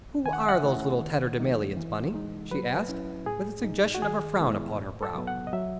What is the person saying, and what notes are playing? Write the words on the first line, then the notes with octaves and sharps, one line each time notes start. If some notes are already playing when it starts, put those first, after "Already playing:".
"Who are those little tatterdemalions, Bunny?" she asked, with a suggestion of a frown upon her brow.
D#3 G#5
F#5
E5
F#5
A3 C#4 E4
D#3
F#3 A3 D#4
E3
G#3 D#4
F#3 B4
C#4 E4
A2 G#4
G#3 D#4
F#4
D#3 G#4
G#3 B3 E4
A2
A4
F#3 B3
F#5
D#5
F#3 E5